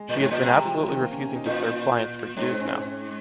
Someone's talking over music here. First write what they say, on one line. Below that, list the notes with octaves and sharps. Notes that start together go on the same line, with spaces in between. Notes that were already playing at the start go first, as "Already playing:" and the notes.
She has been absolutely refusing to serve clients for years now.
Already playing: G#3
A#2
G#2
A#2
C3 G#3
G3
F3
F3
D#3
A#3
C#4
C#4
D#4
A#2 F4
G#2 D#4
C4
C#4
C#4